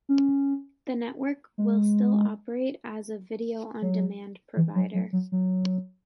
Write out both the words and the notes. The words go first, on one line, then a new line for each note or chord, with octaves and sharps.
The network will still operate as a Video On Demand provider.
C#4
G#3
F#3
E3
F#3
F#3
F#3
F#3